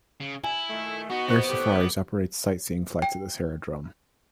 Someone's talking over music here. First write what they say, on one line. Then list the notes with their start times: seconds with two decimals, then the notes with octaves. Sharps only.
Air Safaris operates sightseeing flights at this aerodrome.
0.20 C#3
0.44 E4 G#5
0.69 A#2 D#3 A3
1.10 B3 D#4 F#4 F#5
1.29 C5 C#6 F#6
1.49 A2 D3 G4
3.02 G5